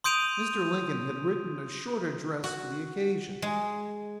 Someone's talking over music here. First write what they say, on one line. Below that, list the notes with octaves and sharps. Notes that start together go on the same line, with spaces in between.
Mr. Lincoln had written a short address for the occasion.
C6 D#6 G6 D7 D#7 F7
F#4
G#3